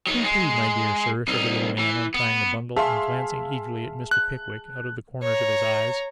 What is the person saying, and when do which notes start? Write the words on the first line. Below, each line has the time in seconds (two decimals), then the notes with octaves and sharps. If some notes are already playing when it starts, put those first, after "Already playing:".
'Pooh, pooh, my dear Sir,' said the little man, untying the bundle, and glancing eagerly at Mr. Pickwick out of the corners of his eyes.
0.07 F#3 D#4
0.24 G#3
1.28 C2 D#4
1.79 E3
2.14 B3
2.77 G#4 E5 F5 A5 C6
4.11 F#6
5.23 C#5 A#5